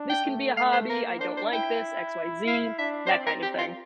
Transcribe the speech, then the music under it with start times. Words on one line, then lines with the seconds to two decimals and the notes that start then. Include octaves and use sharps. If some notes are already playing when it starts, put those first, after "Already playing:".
this can be a hobby. I don't like this, X, Y, Z, that kind of thing."
Already playing: D4
0.10 G5
0.25 A3
0.57 F5
0.73 C5
0.90 A#3 A#4
1.21 D4 C5
1.37 C5
1.52 E4 G5
2.47 E4 F5
2.79 D4 E5
3.07 C5
3.11 C4 D5
3.27 A#4
3.43 G4
3.59 F4